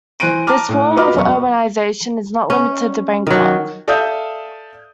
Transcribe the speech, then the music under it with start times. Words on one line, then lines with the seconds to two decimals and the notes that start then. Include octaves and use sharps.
This form of urbanization is not limited to Bangkok.
0.20 E3 C5 F#6 D7 D#7
0.47 A5 A#5 D6 F6
0.69 A2
0.96 F4 F#4 B4 D#5 D6 F6
1.14 E1 F#2 C#6
2.50 C#4
3.27 D#3 F#3
3.88 A4 D5 E5 F5 D#6 G6